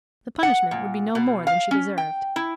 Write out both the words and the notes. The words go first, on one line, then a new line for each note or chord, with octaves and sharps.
The punishment would be no more than she deserved.
F#5
A#2
B2
F5
C#4
G5
E4